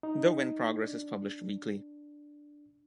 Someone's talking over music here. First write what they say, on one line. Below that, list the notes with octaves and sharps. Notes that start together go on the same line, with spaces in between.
"The Wynne Progress" is published weekly.
D#4
D4